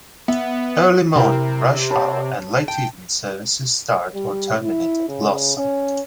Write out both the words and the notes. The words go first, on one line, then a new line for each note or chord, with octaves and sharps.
Early morning, rush hour and late evening services start or terminate at Glossop.
B3 E5
C3 E4 A#4 G5
C#5 A5 B5
G5 A5
G3
E4
C#3
C#4